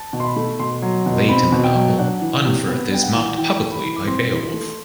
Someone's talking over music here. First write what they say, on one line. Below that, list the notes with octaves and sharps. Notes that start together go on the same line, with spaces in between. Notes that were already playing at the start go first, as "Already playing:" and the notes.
Late in the novel, Unferth is mocked publicly by Beowulf.
Already playing: A5
B2
C6
B5
A3
B2 C6
F#3
B2
C4 B5
B2
G5
F#3
D4 F#5
E3
C3
B3
D4 G5
F#5
E3
E3 G5
A3
B5
E3
D6
C4 C6
E3
A3